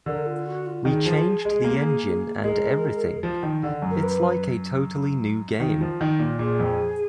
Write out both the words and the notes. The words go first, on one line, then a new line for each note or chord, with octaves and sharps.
We changed the engine and everything, it's like a totally new game.
D3 A#4
F4
F#4
F4
D#3 G#4
F3
G#3
A#3
G#3 A#4
F3
D#3
D3
F#2
A#4
B4
D#3
F3
D#3
A#2
A#2 G#4
F2